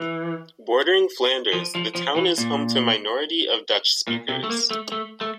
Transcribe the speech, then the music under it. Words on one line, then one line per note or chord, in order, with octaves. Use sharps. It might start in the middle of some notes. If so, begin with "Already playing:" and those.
Bordering Flanders, the town is home to a minority of Dutch-speakers.
Already playing: E3
F3
F3
F3
E3
A#2
A#2
C3
A3
A#3
A3
A3
A3